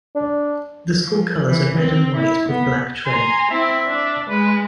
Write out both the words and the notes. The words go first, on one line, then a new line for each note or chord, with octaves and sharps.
The school colors are red and white with black trim.
D4
F3
E3
C4
E4
B3
G#5 A#5 C6
C4 E4 E5
D4
G#3 B4